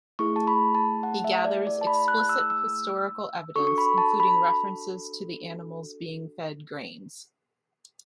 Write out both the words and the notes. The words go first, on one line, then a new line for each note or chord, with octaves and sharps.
He gathers explicit historical evidence, including references to the animals being fed grains.
A3 E4 G#4 C#6
A5
B5
A5
F#5
E5
D5
D5
A5
B5
F#6
E6
E6
D4 F#4 A4 C#6
C#6
B5
A5
B5